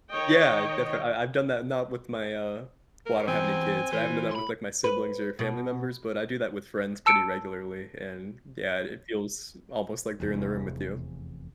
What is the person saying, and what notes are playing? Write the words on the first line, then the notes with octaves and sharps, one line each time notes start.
Yeah, definitely I I've done that, not with my, uh well, I don't have any kids, but I haven't done that with, like, my siblings or family members, but I do that with friends pretty regularly, and yeah, it feels almost like they're in the room with you.
D#3 C#5 D#5 G5
A#4
E2 C4 G#5
E3 C5
A2 B5 C6
B4
B2
A5 E6 C#7 D7
F1 E2